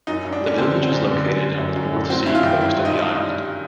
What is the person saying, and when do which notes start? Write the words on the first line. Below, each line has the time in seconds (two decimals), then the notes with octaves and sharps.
The village is located on the North Sea coast of the island.
0.07 F#2 D#4
0.25 F#2
0.33 D4
0.41 G3
0.47 C#4
0.58 D3 C4
0.75 G3
0.83 C4
0.92 F#2
1.08 D3
1.26 F#2
1.42 G3
1.59 F#2
1.76 F#2
1.93 F#2
2.10 F#3 C4
2.26 G2 E4
2.35 F4
2.43 D#3
2.61 G2 E4
2.77 G2
2.85 D#4
2.94 G2
3.11 G2
3.28 G2